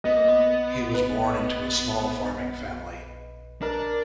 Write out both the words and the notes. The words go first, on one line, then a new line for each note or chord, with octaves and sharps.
He was born into a small farming family.
B3 D#5
A#3
B3
B4
D4 A#4